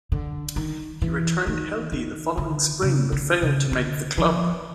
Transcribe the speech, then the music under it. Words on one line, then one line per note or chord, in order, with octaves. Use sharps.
He returned healthy the following Spring, but failed to make the club.
D3
D#3
E3
D#3
D#3
D3
C#3
D3
C#3
D3
F3